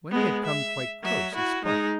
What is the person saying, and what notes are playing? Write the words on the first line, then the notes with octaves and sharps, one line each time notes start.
When he had come quite close he spoke.
G#3 B3
E5
F#3 E5
E4 F#4
G#3 D#4